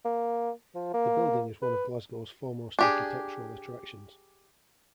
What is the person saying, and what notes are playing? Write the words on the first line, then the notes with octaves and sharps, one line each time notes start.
The building is one of Glasgow's foremost architectural attractions.
A#3
F3
A#3
B4
D4 G4 G#4